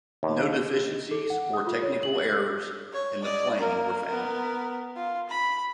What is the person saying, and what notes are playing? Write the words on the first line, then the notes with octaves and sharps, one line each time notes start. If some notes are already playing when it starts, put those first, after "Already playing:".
No deficiencies or technical errors in the plane were found.
D#2
A4
F#5
D#6
F4
C#5
F#7
C#5
D5 D#5
A#3 A#4
B3 A#4
F4
B5